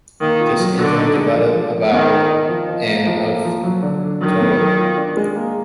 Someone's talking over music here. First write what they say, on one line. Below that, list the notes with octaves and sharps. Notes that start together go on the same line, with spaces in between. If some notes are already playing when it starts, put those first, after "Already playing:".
This engine developed about and of torque.
D#3 A#3
F4
F#3
D3 F#4
D#4
G#3
F3
F3
F3
D#3 B3
D#4
D#4
F3
F3
A#3
F3
A#3
F3
F#3
D3
D4
D#3 F#3
B3
F#3
F4
D4
G#3
A#3